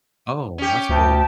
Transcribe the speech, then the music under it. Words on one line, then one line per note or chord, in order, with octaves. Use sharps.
Oh, that's cool.
C#4 G4
D2 G5 A5